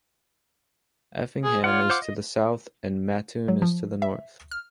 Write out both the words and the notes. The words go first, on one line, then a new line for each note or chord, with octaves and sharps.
Effingham is to the south, and Mattoon is to the north.
G#4
F4 C#5 D5 F#5
C5 F#5 D6
D#5
F#3
F3
E5
F6